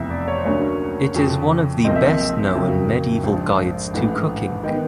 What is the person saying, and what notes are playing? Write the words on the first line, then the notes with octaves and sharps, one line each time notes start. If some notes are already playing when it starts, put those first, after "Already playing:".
It is one of the best-known medieval guides to cooking.
Already playing: F1 E2 C3 E5
D5
C#5
C5
D2 D3 F#3 A#3 C#4 C#5
F2 C#3 F3 A3
B1 A#2 F3 G#3 C4 D#5
E5
D#5
F2 C#3 F#3 A#3
A#1 G#2 F3
A1 G#2 E3 A3
D#3 G#3 B3 G5